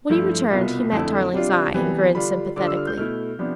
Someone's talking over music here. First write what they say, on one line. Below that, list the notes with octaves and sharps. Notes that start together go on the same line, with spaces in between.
When he returned, he met Tarling's eye and grinned sympathetically.
G2 F3 A3 E4
C2 B2 B3 F4
F2 D3 A3 E4 A5
C3 G3 D4 F4
C3 E3 G3 B3
D3 G3 D4 F4 B5
D3 G3 D4 F4 D6
E6
F6
G6
B2 A3 E4 F6
C3 F3 B3 D4